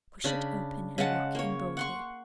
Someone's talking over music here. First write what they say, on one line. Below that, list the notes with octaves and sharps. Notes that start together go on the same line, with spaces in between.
Push it open and walk in boldly.
C#3 D4 B5
C#3 G#3 F#5 A5
A#3 C#5
F#5 C6 C#6